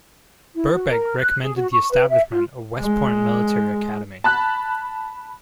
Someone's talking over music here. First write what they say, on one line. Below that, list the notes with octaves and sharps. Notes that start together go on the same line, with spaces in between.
Burbeck recommended the establishment of West Point Military Academy.
E4
F#4
A#4
F#6
G#4
F#4
C#6
B4
E5
F4
G#3
A5 B5 F#6